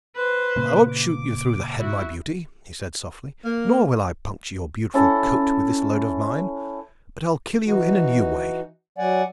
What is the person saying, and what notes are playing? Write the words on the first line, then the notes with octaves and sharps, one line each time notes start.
"I won't shoot you through the head, my beauty," he said, softly, "nor will I puncture your beautiful coat with this load of mine, but I'll kill you in a new way."
B4 C5
A#2 C#3 A#3
D6
E4 F#4
A#3
C#4 E4 A4
E3 D#4 F#4
F#3 D5 F#5 G#5